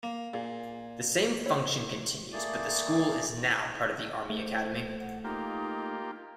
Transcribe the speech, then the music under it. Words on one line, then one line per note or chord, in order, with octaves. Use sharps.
The same function continues, but the School is now part of the Army Academy.
A#3
A#2 G#4
E4 C5 C#5
A3 A#3 G#4 D5
A3 C5
F#5
A#3 D#4 F4 G4